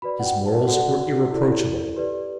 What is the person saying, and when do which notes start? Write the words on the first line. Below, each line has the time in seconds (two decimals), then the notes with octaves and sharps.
His morals were irreproachable.
0.02 F#4 B4 D5 B5
0.19 F#5
0.24 G5
0.46 A5
0.67 F#4 A4 D5 F#5
1.31 E4 A4 D5
1.96 G4 B4 D5